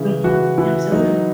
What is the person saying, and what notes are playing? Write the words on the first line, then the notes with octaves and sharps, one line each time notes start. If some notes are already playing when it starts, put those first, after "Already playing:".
Mhm, absolutely.
Already playing: C#3 E3
E3 F#4
E3 E4
F#3 D#4